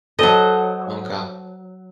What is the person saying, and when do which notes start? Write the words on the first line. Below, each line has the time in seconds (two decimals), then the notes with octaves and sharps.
Oh gosh.
0.19 F#3 A4 C5 D#5 A5